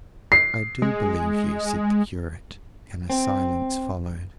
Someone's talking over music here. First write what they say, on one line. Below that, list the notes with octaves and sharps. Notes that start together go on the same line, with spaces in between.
"I do believe you," said the curate, and a silence followed.
C7
G#3
C4